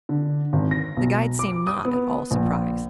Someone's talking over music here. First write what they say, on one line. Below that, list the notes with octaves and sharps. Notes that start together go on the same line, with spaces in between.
The guide seemed not at all surprised.
D3
G#1
A#6
B1
D6
D#6
B3
A#1